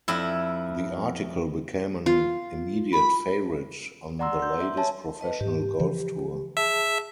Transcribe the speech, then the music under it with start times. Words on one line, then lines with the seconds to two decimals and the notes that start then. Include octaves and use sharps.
The article became an immediate favorite on the Ladies Professional Golf Tour.
0.08 F2 E4
2.06 F4
2.93 B5
4.19 D5 F#5 A#5 C6 E6
4.40 C6 G6
4.61 E5
4.77 C#5 E5 G#5 A5
5.20 B4 D#5 A5
5.41 G#2 G4
5.79 C#3 E3 F3
6.57 G#4 E5 A5